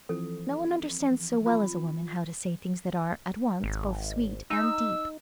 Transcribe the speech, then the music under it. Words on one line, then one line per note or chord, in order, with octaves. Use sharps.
No one understands so well as a woman, how to say things that are, at once, both sweet and deep.
E3 F3 C4 A4
F4
G#1
D#4 E6